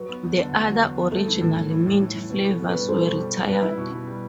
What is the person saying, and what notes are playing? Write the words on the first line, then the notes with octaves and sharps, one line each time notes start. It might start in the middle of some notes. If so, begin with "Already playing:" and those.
The other original mint flavors were retired.
Already playing: F#3 B4
B3
E2
D3
D3
F#3
E2
B3
A3 A4
E3
A2
E3
E3
A2
E3
E3
B2 B4
B3
A4
B2
G3 B4
G3 A4 C5
B2
G3
B3
G3 B4
E4
B2
B2
G3